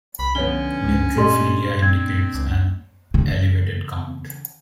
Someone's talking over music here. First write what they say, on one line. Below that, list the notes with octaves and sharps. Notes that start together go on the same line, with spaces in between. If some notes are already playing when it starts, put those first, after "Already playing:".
Neutrophilia indicates an elevated count.
C2 B5
D3 F3 B3 C#4 C#5 G7
C#2
A#2 D4 G4 A4 D5 D#5 C6
C4 G#6
C#2
C#3 E3